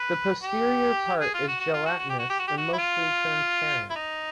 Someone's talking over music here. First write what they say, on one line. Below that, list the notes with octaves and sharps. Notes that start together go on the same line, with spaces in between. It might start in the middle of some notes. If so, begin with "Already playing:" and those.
The posterior part is gelatinous and mostly transparent.
Already playing: B4
G4
G#4
F4
F#4
F#4
F4
F#4
F#4
G4
F#4
G4
F#4
G4
F#4
E4
F4
E4
D#4